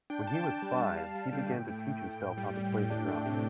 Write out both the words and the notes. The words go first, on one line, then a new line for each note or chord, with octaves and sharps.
When he was five, he began to teach himself how to play the drums.
D4 G5
D4 A5
G5
D4
G5
G3
G3 A5
G3 F5
G3 F5
D3 G5
F5
A2 G5
A3
A2
A2
A2
G3
G3
A2
D4
A3
C3